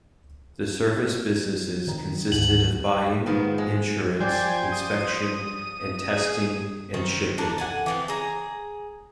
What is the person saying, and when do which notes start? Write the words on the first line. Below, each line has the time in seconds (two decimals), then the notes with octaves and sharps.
The service businesses consisted of buying, insurance, inspection and testing, and shipping.
1.87 D#3
2.32 D2 G#2 F#7
3.26 G#2 D#3 F3 B3
3.58 G#3
4.20 F3 G4 C5 D5 G#5
4.72 D#6
6.09 G#4
6.94 D#3 C4 C5
7.38 D4 A4 A#4
7.58 F#5 G#5 A5
7.86 E3 F3 C4
8.08 G#4 A#5